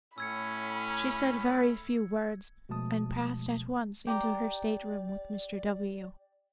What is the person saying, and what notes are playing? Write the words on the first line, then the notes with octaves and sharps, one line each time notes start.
She said very few words, and passed at once into her state-room with Mr. W.
A2 C#4 B5 E6 G#6 C#7
B2 F3 G#3 A3 A5 D#6
G4 D5 A#5 D6